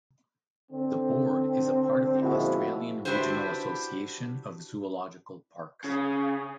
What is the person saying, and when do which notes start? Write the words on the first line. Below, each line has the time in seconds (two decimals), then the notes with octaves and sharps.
The board is a part of the Australian Regional Association of Zoological Parks.
0.72 D3 C4
2.21 C#2 A#2 F3 G#3 E4 F#4
3.05 D4 E4 F#4 G4 B4 C5
5.84 C#3